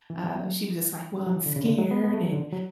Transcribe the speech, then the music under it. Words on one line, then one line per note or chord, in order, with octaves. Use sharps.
uh, she was just like, "Well, I'm scared, and
E3
E3
F#3
F#3
E3
D3
C#3
D3
F#3
B3
B3
A3
F#3
D3
F#3